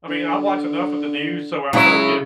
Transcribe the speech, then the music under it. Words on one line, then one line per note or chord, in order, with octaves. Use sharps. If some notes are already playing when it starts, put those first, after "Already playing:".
I mean, I watch enough of the news so I don't get
D3
C#2 C#3 F#3 E4 C#5